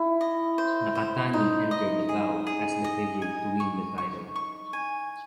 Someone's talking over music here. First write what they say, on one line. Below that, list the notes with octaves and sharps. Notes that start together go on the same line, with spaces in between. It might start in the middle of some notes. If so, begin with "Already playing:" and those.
Nakatani entered the bout as the favorite to win the title.
Already playing: E4
D#5
C5
C5
D#4 C5
D#5
G#4
G#4
D#5
G#5
C#6
C#6
C#6
G#5